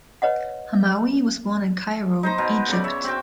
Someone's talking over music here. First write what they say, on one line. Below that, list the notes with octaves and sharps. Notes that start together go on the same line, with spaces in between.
Hamaui was born in Cairo, Egypt.
B4 C#5 D#5 F#5
D#4 C5 A#5
B2
C#3 D5
C#5 E5
C4 F#4 G5